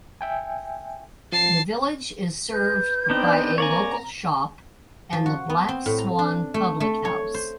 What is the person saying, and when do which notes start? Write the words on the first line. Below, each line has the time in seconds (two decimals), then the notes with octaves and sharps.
The village is served by a local shop and the Black Swan public house.
0.21 E5 G5 G#5
1.32 F3 A5 C7
2.54 B4 G6
3.10 B3 C4 D4 D#4 D5
3.58 A#3 C#5 D5 G#5 A#5
5.13 F3
5.26 F#4
5.50 B3
5.68 C4
5.86 A2
5.98 A#5
6.19 D4
6.54 A3
6.80 A3
7.05 C#5
7.34 C5